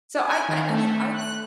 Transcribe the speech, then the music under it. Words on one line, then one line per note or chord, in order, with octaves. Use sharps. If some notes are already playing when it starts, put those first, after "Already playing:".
so I I I mean, I
G#5
D#3
A3
F#6